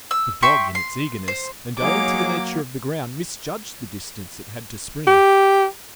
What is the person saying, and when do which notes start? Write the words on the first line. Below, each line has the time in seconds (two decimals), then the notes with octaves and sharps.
The dog in its eagerness, and owing to the nature of the ground, misjudged the distance it had to spring.
0.11 E6
0.42 E5 G5 C6 C#6
0.75 C6
1.28 C5
1.79 F#3 A#3 D#4 G#4 C#5 D6
5.07 G4